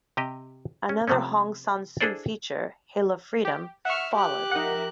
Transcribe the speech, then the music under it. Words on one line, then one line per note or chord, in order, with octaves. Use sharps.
Another Hong Sang-soo feature, "Hill of Freedom", followed.
C3 G4 D#5
C#4
C3 F3 A3 B3 C#4
D4 E4 G#4 A4 C5 D5
G4
E5 F#5 C#6 F6
G4 F#6
F3 D#4 A#4 E5 F#5